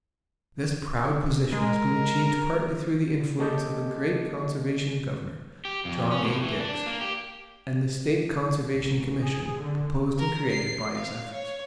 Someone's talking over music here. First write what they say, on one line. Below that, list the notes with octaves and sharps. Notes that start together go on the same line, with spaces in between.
This proud position has been achieved partly through the influence of a great conservation Governor, John A. Dix, and the State Conservation Commission proposed and created by his efforts.
G#3 A#4
A#3 G4 A4 D#5 D6 G6
G4
F2
C#4
A2
E3
D4
A#3
G4
A1
G#4
D3
A#4
C7
F5
C#5